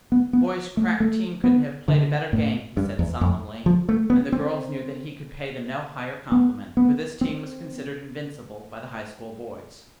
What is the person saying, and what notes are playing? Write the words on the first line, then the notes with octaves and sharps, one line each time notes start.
"The boys' crack team couldn't have played a better game," he said solemnly, and the girls knew that he could pay them no higher compliment, for this team was considered invincible by the High School boys.
B3
B3
A3
A3
B3
D3
A2
G2
E2
F2
F3
A3
B3
C4
B3
B3
C4